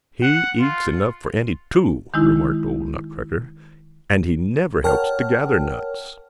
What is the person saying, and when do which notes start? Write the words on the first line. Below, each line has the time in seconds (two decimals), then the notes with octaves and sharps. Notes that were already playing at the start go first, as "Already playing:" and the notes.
"He eats enough for any two," remarked old Nutcracker, "and he never helps to gather nuts."
0.22 F#5
0.60 F4
2.14 D#3 G#3 D#4 E4
4.84 A#4 C#5 F#5 G5 A5 F6